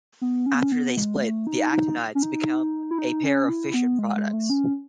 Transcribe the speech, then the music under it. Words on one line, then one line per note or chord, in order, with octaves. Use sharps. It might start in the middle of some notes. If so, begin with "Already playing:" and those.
After they split, the actinides become a pair of fission products.
B3
C#4
B3
C#4
B3
G#3
A3
D#4
D#4
C#4
D#4
E4
D#4
C#4
E4
B3
G#3
G#3
A3
C#4